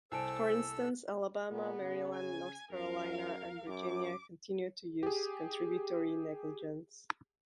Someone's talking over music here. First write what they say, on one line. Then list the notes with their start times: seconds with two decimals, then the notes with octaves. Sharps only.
For instance, Alabama, Maryland, North Carolina, and Virginia continue to use contributory negligence.
0.12 C2 A4 C5 G#5 A5 E6 D7
1.51 A#2 B3
1.80 C#3
2.14 G#5
2.71 F#2 A#4 F5
3.68 F#2 D6
5.03 G4 G#4